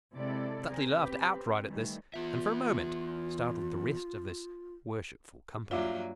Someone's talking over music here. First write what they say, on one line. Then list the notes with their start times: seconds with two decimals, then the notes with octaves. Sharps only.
Stuteley laughed outright at this, and for a moment startled the rest of this worshipful company.
0.14 C3 G#3 E4 A4 D5
0.67 C4 G#4 A#4
0.96 C4 G4 B4
1.33 C4
1.68 D#3 E3 G3 A3
2.14 E3 B3 F4 E5
5.71 G2 F#3 A#3 F4 E5 F5 D6